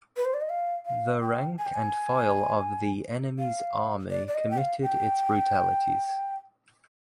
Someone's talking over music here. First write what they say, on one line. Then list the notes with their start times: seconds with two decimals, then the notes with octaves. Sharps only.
The rank and file of the enemy's army committed its brutalities.
0.17 B4
0.25 C5
0.34 D5
0.41 D#5
0.50 F5
0.86 F5
1.22 G5
1.59 G#5
1.66 G5
1.74 G#5
3.39 F5
4.11 D5
4.28 D5
4.35 D#5
4.51 G5
4.58 F5
4.83 G5